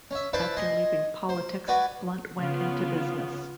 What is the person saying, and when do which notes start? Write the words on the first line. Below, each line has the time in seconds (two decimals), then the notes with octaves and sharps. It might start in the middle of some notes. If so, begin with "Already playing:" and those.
After leaving politics Blunt went into business.
0.11 C#4 E5
0.33 E4 B4 C5 D5 A5
0.57 D#5 G#5 C6
1.29 C5
1.68 F#4 B4 D5 G#5
2.39 C#3 B3 F4